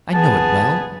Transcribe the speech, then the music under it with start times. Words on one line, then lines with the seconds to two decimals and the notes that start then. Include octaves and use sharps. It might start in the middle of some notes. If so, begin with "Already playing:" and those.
I know it well.
0.14 B3 G#4 A5